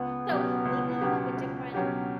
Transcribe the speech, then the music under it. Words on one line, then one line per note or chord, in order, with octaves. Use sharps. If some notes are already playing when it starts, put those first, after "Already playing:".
So, maybe you have a different,
Already playing: C#2 B3
B2 F#3 C#4 G4
C#2
B2 F#3 C#4 G4
C#2
B2 F#3 C#4 G4